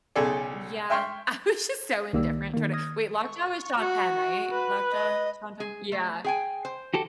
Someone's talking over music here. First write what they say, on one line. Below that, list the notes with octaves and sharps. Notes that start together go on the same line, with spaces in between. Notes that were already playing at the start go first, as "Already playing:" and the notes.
yeah. I was just so indifferent toward it wait, Lockjaw was Sean Penn, right? Lockjaw? Sean Penn? Yeah,
B1 C#3 G#4 A4 D5
E5 G5 C6 C#6 F6
C2 D#3 A#3 G4 D5 E6
D#3 A#3
D#6 F6 G#6 A#6
C#6
F#4
B4
D#5
G#4
A3
G#4 G5 G#5
C5
F#4 G4 A4